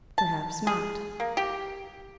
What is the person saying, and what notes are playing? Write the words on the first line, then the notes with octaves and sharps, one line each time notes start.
"Perhaps not."
A5
G#4
A#3
G4